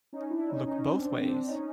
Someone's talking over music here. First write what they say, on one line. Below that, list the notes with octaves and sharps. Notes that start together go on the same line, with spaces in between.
Look both ways.
C#4 D#4
D4 E4
C#4 D#4
C#4 D#4
C4 D4
C4 D4
C#4 D#4